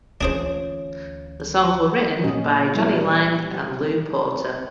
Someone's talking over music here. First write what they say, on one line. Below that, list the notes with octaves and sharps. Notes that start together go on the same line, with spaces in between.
The songs were written by Johnny Lange and Lew Porter.
D2 E3 C#4 D4 F4 G#4 C5 C#5
A#2 C#4 D#5
F#3 G3 E4